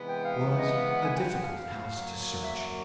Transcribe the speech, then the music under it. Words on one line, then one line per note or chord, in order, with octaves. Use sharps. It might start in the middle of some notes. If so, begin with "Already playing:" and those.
It was a difficult house to search.
Already playing: C3 E3 G#3 B3
G5
F5
D#5
F5
F#5
G#5
G5
F#5
F5
F#2 D3 F#3 A#3
E5